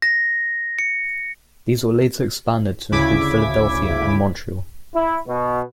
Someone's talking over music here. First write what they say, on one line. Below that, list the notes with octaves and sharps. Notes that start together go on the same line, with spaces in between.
These were later expanded to include Philadelphia and Montreal.
A#6
C#7
D2 C#3 E4 D6 G#6 B6
E4
B2